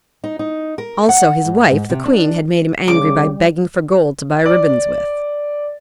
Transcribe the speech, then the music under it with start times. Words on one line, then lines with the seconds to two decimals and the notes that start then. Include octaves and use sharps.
Also his wife, the Queen, had made him angry by begging for gold to buy ribbons with.
0.24 D#4
0.39 D#4
0.78 A#4
1.09 F#5
1.44 G#2
1.71 G#2
1.90 C3
2.05 D4
2.88 C#3 G3 D6
4.45 D5